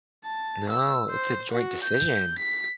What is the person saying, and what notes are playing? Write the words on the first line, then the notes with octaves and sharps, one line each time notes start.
No. It's a joint decision.
A5
E6
C5
F#4
G6
B6